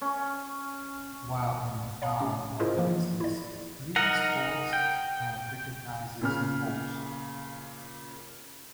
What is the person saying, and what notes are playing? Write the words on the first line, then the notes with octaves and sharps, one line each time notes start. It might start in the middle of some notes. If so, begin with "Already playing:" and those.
While in town on business, Clint spots and recognizes the horse.
C#4
C#5 F5 A#5
C3 C#4 D6
E4 F4 G#4 A#4 C5 D#5
E3 F3 A#3
E4 D5
D#4 A#4 F#5 A#5
G5
A#2 C#3 F6